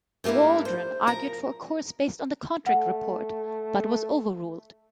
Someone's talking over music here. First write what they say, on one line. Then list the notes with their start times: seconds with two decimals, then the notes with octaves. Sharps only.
Waldron argued for a course based on the contact report, but was overruled.
0.24 G2 A3 A#3 D4 E4
0.65 C5
1.07 F3 A#4 A#5
2.67 A3 F#5